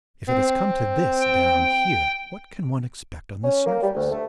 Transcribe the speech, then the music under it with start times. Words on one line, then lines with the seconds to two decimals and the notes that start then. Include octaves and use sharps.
If it has come to this down here, what can one expect on the surface?
0.28 C4
1.21 G5
3.44 C#4
3.66 A#3
3.83 G3
3.95 D2
4.12 A3